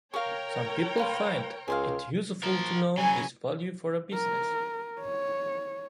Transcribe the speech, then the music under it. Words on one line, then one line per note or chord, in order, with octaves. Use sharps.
Some people find it useful to know this value for a business.
A#4 C#5 F5 G5 C#6
B4 F5 C6
C#2 G#4 C5 F5
F3 A#4
C#3 F#3 G#5
A#4
C#5